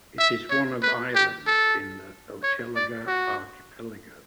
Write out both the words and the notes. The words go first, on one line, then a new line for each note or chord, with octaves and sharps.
It is one of islands in the Hochelaga Archipelago.
E5
C#5
B4
G4
A4
C#5
D5
F#4